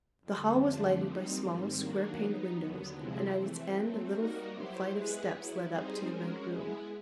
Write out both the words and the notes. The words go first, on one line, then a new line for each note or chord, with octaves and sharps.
The hall was lighted by small, square-paned windows, and at its end a little flight of steps led up to the Red Room.
F2 D3 G3
F2 D3 F3 A3 D4
A#2 G3 C4 D#4
G#2 D#3 G3 C4
D#3 F#3 A#3 D4 F#4
F#3 B3 D#4
D#2 D3 F#3 B3
C3 F3 G#3 C4 E4
E3 A3 C4
F#3 A3 C4
G3 A#3 D#4 F#4 A#4
F#3 B3 E4 G4 C5
G#3 B3 E4 G#4 B4
F#3 B3 E4
G3 C4 D#4 G#4 C5
G#3 C#4 F#4 A#4
G#3 B3 E4 G#4